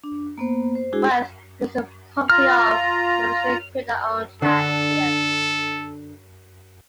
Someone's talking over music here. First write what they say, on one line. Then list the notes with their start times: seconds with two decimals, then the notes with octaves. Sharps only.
"Worth" means "property of" and the Mercian Crida owned land here.
0.04 D4
0.38 A#3 B3 C5
0.75 C5
0.92 G#3 D4 E4 F#4 G#4
2.30 F4 A#5 F6
4.42 D3 D4 A4